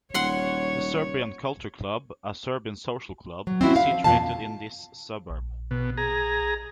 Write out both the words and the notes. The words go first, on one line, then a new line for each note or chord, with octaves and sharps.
The "Serbian Cultural Club", a Serbian social club, is situated in this suburb.
D#1 C#5 F#5 C6
F#3
C4 C#4 E4 F#4
F5
F3
F2 B2 F3 A#3 F5 A5
A#1
B2
G#4 A#5